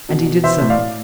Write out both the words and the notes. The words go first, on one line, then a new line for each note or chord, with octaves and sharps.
And he did so.
B2
B2
E3 C5 E5
A2
D5 F5
A2